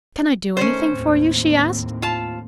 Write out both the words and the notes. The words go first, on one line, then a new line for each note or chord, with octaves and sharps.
"Can I do anything for you?" she asked.
D#3 A3 C#4 C5
D#2 A2 C4
F4 A5